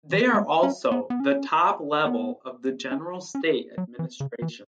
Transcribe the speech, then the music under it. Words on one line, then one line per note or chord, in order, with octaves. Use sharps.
They are also the top level of the General State Administration.
E3
G#3
C#4
B3
B3
C#4
B3
C#4
C#4
F#3
E3
C#3
E3